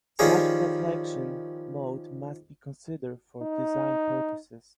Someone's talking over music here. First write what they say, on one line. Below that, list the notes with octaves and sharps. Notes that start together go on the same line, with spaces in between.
Such a deflection mode must be considered for design purposes.
D#3 F3 G3 C#4 G#4 A#5
D#4